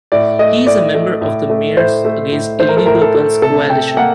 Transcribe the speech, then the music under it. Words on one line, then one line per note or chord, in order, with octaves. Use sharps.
He is a member of the Mayors Against Illegal Guns Coalition.
A2 D5
A3 D#5
A2 D5
A3
A2
A3
A2 C5
A3
A2
A3 C5
A#4
A4
A2 A#4
A4
A3
C3 A4
C3 G5
A#3 F#5